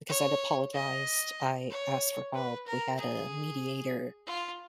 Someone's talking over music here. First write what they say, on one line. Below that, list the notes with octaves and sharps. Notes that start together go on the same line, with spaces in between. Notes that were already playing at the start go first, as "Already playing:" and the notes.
Because I'd apologized, I asked for help, we had a mediator.
C#5
D#5
C#5
B4
A#4
G#4
F4